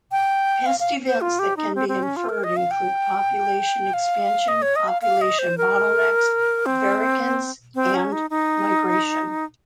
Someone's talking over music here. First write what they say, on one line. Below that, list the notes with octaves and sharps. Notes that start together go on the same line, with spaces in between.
Past events that can be inferred include population expansion, population bottlenecks, vicariance and migration.
G5
F5
F5
C5
F4
G4
D#4
C4
C4
C#4
F4
A#4
D#5
F5
G5
F5
D#5
C#5
D#5
F5
F5
D#5
C5
A#4
C4
C4
C#4
D#4
D#4